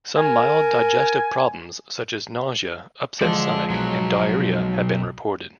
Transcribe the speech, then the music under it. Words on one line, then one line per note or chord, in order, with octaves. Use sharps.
Some mild digestive problems such as nausea, upset stomach, and diarrhea have been reported.
A#4 G#5
F3 G#3 A4 D5
B1 F#3